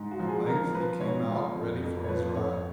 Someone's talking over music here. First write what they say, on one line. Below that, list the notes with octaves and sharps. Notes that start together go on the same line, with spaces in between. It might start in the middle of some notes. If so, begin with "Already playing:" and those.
At length he came out, ready for his ride.
Already playing: G#2
F#4
F3
G#4
F3 A#4
F3 B4
G#2 C#5
F3
F2
F2
C#5
F3 B4
F2 C#5